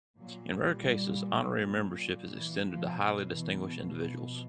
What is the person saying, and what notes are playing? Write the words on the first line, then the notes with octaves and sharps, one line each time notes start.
In rare cases, honorary membership is extended to highly distinguished individuals.
A#2 F#3
G3
G3
F#3
E3
B2 F3
F#3
E3
E3
F3